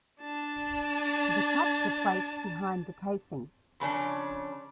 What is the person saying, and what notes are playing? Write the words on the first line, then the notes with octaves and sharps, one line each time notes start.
The caps are placed behind the casing.
D4 A5
F2 C#3 C#4 D4